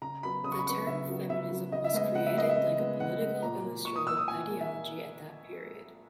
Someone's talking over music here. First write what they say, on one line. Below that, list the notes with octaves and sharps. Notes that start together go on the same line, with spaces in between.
The term Feminism was created like a political illustrated ideology at that period.
C#3 A#5
F#3 B3 B5
C#3 D#6
C#6
B5
F#3 B3 C#6
C#3 E5
F#3 B3
C#3 E5
F#3 B3
C#3 D#5
E5
G#3 B3 D#5
C#3 F#5
E5
G#3 B3 D#5
E5
C#3
G#3 B3
C#3 F#5
G#3 B3
A#2 A#5
A#3
A#2 C#6
D#6
A#3 E6
D#6
A#2 G#5
A#3
E5